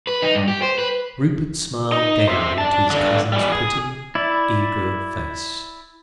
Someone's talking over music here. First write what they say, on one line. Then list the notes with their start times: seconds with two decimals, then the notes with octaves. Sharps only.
Rupert smiled down into his cousin's pretty, eager face.
0.07 B4
0.22 D#4
0.35 G2
0.48 G4
0.62 C5
0.78 B4
1.92 D#4
2.28 C5 E5
2.58 D5 A5
2.91 G2 D3
3.33 E3 G3
3.52 G#4
4.15 E4 D5